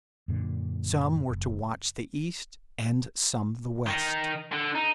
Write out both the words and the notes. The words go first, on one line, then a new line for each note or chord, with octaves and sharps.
Some were to watch the east, and some the west.
F#2 A#2 D3
F#1
D#3 D#4
D3
D#4